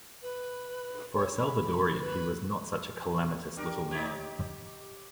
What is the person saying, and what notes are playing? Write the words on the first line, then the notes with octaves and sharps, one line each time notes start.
For a Salvadorian he was not such a calamitous little man.
B4
C#5
B5
B4
D4 G4 A#4
D#4 G4 C#5